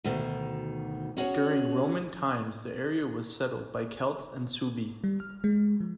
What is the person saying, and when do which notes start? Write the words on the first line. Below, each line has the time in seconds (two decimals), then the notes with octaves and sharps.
During Roman times the area was settled by Celts and Suebi.
0.04 D2 B2 D#3
1.17 C#4 F#4 G#4 C#5
5.04 G3
5.20 F6
5.44 G#3
5.80 F3